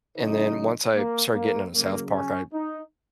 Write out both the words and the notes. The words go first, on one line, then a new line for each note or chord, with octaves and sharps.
and then once I started getting into South Park, I
C#3 F#3 D#4
A#3
A#3
C#3 F#3 A#3
C#4
D#4